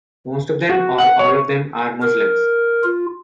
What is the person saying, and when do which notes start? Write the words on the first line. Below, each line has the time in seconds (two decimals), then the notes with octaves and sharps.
Most of them or all of them are Muslims.
0.69 F#4
0.98 F#5
1.19 C#5
2.02 A#4
2.84 F4